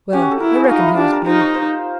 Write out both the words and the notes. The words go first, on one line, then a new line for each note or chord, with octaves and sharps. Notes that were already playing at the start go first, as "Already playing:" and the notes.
Well, I reckon he was blue.
C#4 G4
F#4
A4
E4 A#4
G#4
F#4
D#4 F4
E4
F4
D4 G4
A#4
D#4 C5
C#5
C5